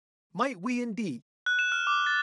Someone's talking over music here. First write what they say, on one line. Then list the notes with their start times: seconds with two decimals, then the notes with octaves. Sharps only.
Might we indeed!
1.46 F#6
1.59 E7
1.72 F6
1.87 D6
2.06 A6